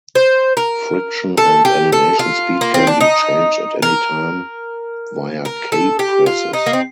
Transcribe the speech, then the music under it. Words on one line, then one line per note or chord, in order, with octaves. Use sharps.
Friction and animation speed can be changed at any time via key presses.
C5
A#4
A4
G4
A4
F4
A#3
C4
D4
D#4
A#4
A#4
A4
G4
F4
D#4
A#3
C4